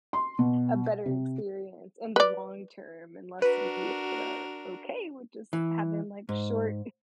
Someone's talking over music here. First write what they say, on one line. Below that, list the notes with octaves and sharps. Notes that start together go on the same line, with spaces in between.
a better experience in the long term unless we are okay with just having, like, short
C6
B2
C3
B4 D5
D4 F#4 A#4 B4
E3
G#2